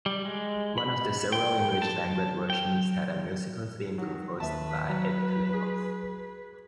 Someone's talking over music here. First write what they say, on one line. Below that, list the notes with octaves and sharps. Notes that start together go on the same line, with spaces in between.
One of the several English-language versions had a musical theme composed by Edd Kalehoff.
G3
G#3
B5
G5
A5
G5
D#3 F#3
D#2 B4 E5 A5
F#3
G#4